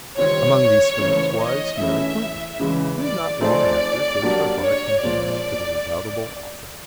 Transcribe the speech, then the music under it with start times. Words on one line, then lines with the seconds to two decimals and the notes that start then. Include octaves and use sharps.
Among these friends was Mary Clinton, who not long after gave her heart and hand to the redoubtable author.
0.17 D#3 G3 C4 F4 C#5
0.98 C#3 E3 A3 C4
1.38 D#5
1.79 E3 A3 C#4 E4 G#4 E5
2.59 C#3 E3 G#3
3.00 D5
3.40 F3 A3 C4 D#4 G#4 D5
4.22 F#3 A#3 D4 G4
4.62 C#5
5.02 A#2 F3 G#3 C4 D5